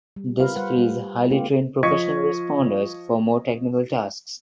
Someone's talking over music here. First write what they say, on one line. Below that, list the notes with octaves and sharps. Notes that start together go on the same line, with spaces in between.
This frees highly trained professional responders for more technical tasks.
G3
F4 A#4 B4 F5
G3 B4 C5 F#5
G3
A3 B3 F4 G4
F3 D#5 C#6 G#6 B6 C#7